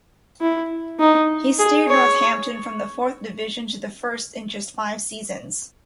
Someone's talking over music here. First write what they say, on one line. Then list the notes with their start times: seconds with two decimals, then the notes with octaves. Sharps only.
He steered Northampton from the Fourth Division to the First in just five seasons.
0.41 E4
1.00 D#4
1.59 G#4
1.88 C#5